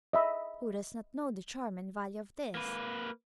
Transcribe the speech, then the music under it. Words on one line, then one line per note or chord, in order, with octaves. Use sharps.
Who does not know the charm and value of this?
D#5 E5 B5
A#3 B4